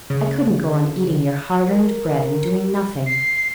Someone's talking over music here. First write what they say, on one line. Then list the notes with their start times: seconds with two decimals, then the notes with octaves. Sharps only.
I couldn't go on eating your hard-earned bread and doing nothing.
0.10 C#3
1.68 A#4
3.06 C7